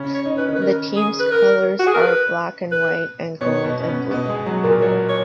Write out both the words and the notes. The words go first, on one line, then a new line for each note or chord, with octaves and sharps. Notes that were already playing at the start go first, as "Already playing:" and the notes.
The team's colors are black and white, and gold and blue.
Already playing: C#3 C#4
C#5
D#4
C#4 B4
D#3 D#4
B4
A#4
G#4
B4
A#4
F#4
G#4
A#4
B4
B4
B2 B3 C#5
B2 B3
C#4
B2 B3
B2 B3 D#5
G#3 G#4
F#3 F#4
A#2 A#3
F#3 F#4 C#5
C#5